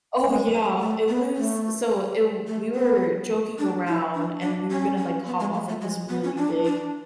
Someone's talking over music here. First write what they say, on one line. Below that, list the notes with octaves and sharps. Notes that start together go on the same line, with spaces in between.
Oh yeah, it was so i we were joking around and we were gonna like hop off like, this really big,
G#3
A3
B3
A3
A3
B3
D4
E4
D4
D4
C#4
C#4
B3
G#3
A3
A3
G#3
B3
C#4
D4
D4